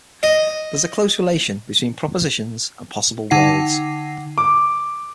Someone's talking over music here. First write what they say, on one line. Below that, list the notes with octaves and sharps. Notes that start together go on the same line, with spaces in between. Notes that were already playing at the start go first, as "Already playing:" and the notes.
There is a close relation between propositions and possible worlds.
D#5
D3 D#4 F#5 C7
D6